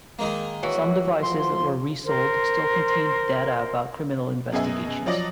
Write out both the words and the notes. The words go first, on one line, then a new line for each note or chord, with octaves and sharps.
Some devices that were resold still contained data about criminal investigations.
D#3 G#3 A#3
E3 F#4 C#5
F3 C6
A#4 C5 C6
F#2 B2 G#4 D#5 E5 G#5
F3 F#3 D5 D#5 A#6 F#7